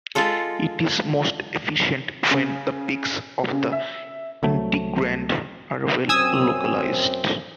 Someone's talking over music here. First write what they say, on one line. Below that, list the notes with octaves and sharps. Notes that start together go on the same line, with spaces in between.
It is most efficient when the peaks of the integrand are well-localized.
G#3 F4 A4
C#3
C#3
E5
C2 F#3 A3
F#2 C4 G#5 D#6 E6